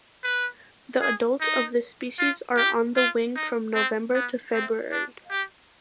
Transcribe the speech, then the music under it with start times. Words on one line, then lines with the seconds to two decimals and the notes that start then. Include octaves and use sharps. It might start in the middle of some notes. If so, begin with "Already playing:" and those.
The adults of this species are on the wing from November to February.
0.23 B4
1.01 G#4
1.41 D#4
2.18 F4
2.57 G4
2.96 F4
3.35 D#4
3.74 C4
4.13 B3
4.53 C4
4.92 D4
5.30 G4